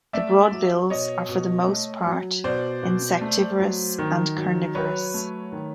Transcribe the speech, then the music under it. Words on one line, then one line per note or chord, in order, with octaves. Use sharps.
The broadbills are for the most part insectivorous and carnivorous.
A3 D5 E5
F#3
B2 C#5 D#5
B2
A3
F#3
B2 C5 D5
B2
A3
F#3
D#3
F#3
F#3 B4 C#5
A3
D#3